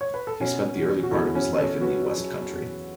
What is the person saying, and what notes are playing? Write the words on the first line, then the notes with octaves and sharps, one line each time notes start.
He spent the early part of his life in the West Country.
C#5
B4
A4
B2 C#4 F#4
E2
F#4
E2 E4 A4
C#4 F#4
E2
A4 C#5
F#3 F#4 B4
F#3
E2